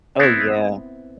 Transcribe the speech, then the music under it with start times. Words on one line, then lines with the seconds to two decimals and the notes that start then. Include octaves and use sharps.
Oh, yeah.
0.19 B3 C4 E4